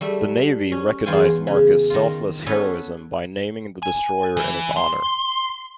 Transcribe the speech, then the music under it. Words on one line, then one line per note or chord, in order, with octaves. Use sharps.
The Navy recognized Marcus' selfless heroism by naming the destroyer in his honor.
G3 A3 E5
C#4
E2 B3 F4 F5 G5 G#5
C#3
D#3 F4
B3 C#4 A4 B4 C#5
G#5
E3
C6